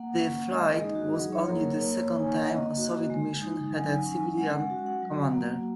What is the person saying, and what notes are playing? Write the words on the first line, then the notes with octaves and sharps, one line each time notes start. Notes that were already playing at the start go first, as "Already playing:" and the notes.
The flight was only the second time a Soviet mission had a civilian commander.
Already playing: A#3 F#5
C#4
G#3 D#5
G#4
D#4
F#4
F#3 G#4
C#5
A#3 A#4
A#4
A#3 C#5
D#4
G#5
F#5
A#3 D#5
F#4
G#3
D#4
F#3 G#5
C#4 G#5
G#3 F#5
F#5
F#4
F#5
F#3
A#3